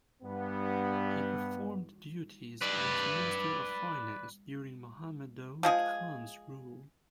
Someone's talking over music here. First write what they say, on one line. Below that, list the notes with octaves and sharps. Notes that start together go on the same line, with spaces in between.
He performed duties as Minister of Finance during Mohammad Daud Khan's rule.
G2 B3
B4 D5
F3 G#3 G#4